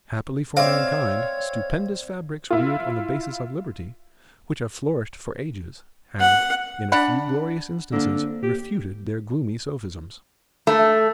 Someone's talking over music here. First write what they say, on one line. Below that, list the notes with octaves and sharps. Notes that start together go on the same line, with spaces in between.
Happily for mankind, stupendous fabrics reared on the basis of liberty, which have flourished for ages, have, in a few glorious instances, refuted their gloomy sophisms.
C4 C#5 D5 E5 F5
E4 F4
F#5
D4 D5 F#5 B5
D3 A#3 C4 F4
G4
A3